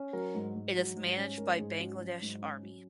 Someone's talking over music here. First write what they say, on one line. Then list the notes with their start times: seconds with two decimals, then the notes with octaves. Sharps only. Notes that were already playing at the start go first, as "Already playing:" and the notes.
It is managed by Bangladesh Army.
Already playing: C#4
0.13 F#3 A#4
0.35 G#2
0.55 G#2
0.75 F#3
0.96 G#2
1.17 C#4
1.38 G#2 A#4
1.58 G#2 G#4
1.79 C#4 F#4
2.00 F#3
2.22 G#2
2.42 C#4
2.62 F#3